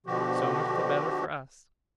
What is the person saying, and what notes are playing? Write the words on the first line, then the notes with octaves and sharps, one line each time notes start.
"So much the better for us."
B2 D3 F3 F#4 G4